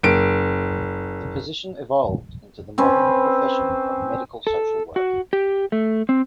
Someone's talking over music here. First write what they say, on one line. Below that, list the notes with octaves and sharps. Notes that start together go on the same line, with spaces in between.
This position evolved into the modern profession of medical social work.
F#1 D7
C4 C#4 B4
A4
F#4
G4
A3
C4